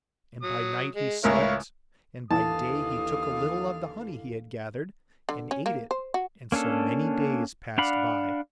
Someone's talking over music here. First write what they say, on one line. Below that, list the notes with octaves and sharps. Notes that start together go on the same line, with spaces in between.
And by night he slept, and by day he took a little of the honey he had gathered and ate it; and so many days passed by.
F#3 D#6
G#3
C#2 A2 E4 A#4 C#5 F5
D#2 D3 E3 F5 A5 D#6
D3
C#4
A#3
C5
F#4
A#3 C#4 D4 A4
D4 D5 F5 F#5 B5